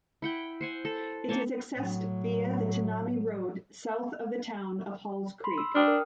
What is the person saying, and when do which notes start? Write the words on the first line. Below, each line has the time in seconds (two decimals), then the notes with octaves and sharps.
It is accessed via the Tanami Road south of the town of Halls Creek.
0.22 E4 F#5 G5
0.61 C5 F#5 G#5
0.85 A4
1.29 A#3 C4 C#5 A5
1.76 A2 F#3
5.44 B5 C6
5.58 E6
5.75 D4 G5 D#6 F6
5.87 A#4